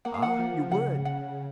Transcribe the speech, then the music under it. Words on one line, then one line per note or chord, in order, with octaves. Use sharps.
Ah, you would?
A#3 F#5
F5
F#5
F3
C#3 F#5
C#3 F#5